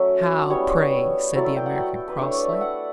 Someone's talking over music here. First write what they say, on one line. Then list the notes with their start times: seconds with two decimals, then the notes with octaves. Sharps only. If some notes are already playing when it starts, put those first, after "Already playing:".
"How, pray?" said the American, crossly.
Already playing: F#3 A3 C#4 E5
0.50 G3 B3 E4 C#5
1.35 F#3 A3 E4 D5
1.45 E5
1.56 G5
1.66 F#5
1.76 G5
2.08 B4
2.19 A3 D4 C#5
2.35 D5
2.49 E5
2.61 F#5